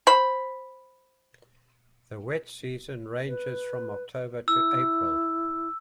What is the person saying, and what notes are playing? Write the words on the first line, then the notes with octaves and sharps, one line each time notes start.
The wet season ranges from October to April.
C5 B5
B4
E4 E6